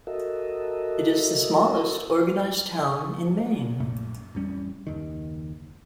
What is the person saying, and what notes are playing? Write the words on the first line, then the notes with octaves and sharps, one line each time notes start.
It is the smallest organized town in Maine.
F#4 A4 A#4 D#5 E5
A#1 F#2 A#2 A3
A1 F2 G3 C#4
F#1 D#2 D#3